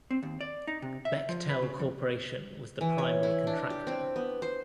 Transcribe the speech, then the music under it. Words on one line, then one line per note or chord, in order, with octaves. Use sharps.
Bechtel Corporation was the primary contractor.
C4
D#2
D5
D#4
C3
E5
F3
B4
C#3
F2
E3
C#5
E4
D4
G4
C4
B3
C5